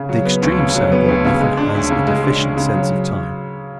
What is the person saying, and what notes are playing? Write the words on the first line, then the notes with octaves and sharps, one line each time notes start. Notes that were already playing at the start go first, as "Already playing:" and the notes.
The extreme Cerebral often has a deficient sense of time.
Already playing: C#3
F#3
B3
D2
C#3
F#3
B3
D2
C#3
G#3
D4
D2
C#3
G#3
D4
D2
C#3
F#3